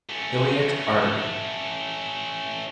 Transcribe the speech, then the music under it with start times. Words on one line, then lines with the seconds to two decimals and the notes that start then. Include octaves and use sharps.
Iliac artery.
0.10 A3 C#4